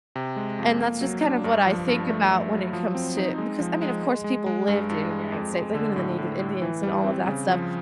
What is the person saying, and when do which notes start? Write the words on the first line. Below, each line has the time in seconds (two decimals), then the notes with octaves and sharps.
And that's just kind of what I think about when it comes to because I mean, of course, people lived in United States, like, you know, the native Indians and all of that stuff.
0.16 C3
0.36 G#3
0.59 F2
0.80 A#3
1.01 F#3
1.22 D4
1.44 G2
1.66 F3
1.88 G2
2.09 A3
2.30 A3
2.52 F#3
2.73 F3
2.95 C4
3.17 D#4
3.38 G#3
3.60 F3
3.82 G#3
4.03 G#3
4.24 G#3
4.46 G#3
4.68 G2
4.89 G2
5.10 G#3
5.32 F2
5.54 G#3
5.75 D3
5.96 A2
6.18 A2
6.39 A2
6.62 E3
6.83 G3
7.04 C4
7.26 C#3
7.48 F3